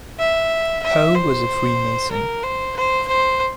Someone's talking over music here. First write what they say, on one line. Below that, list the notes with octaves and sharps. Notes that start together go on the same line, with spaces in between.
Hoe was a Freemason.
E5
E5
C5
A#4
C5
C5
C5